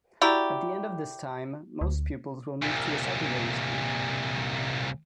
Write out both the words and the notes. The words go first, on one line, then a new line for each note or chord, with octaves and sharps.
At the end of this time, most pupils will move to a secondary school.
E4 F#4 G4 D5 A#5
D2
C2 A#2